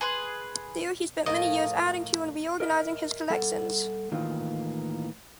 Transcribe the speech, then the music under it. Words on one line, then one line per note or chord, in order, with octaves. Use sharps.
There he spent many years adding to and reorganizing his collections.
G#4 B4 C6
A2 F3 A#3 D#5
A#4 D#5 E5
G3 A4 F#5
A2 D#3 E3 A#3 D#4 F4